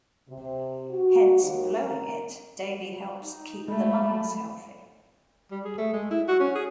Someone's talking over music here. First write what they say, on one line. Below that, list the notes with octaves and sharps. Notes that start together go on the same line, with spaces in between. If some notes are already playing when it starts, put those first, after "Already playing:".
Hence, blowing it daily helps keep the lungs healthy.
C3
F#4
D#2
A#4
D#4
G#3 A3 B5
G3
G#4
A3
G#3
E4
F#4
C#4
G#4